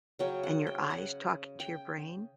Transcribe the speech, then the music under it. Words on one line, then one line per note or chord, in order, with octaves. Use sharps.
and your eyes talking to your brain,
C#3 F#3 C#4 G5
F#5
G5
F#5
G5